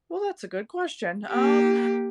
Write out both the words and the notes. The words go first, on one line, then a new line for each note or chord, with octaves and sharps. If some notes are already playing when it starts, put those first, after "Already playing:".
Well, that's a good question, um
A#3 G4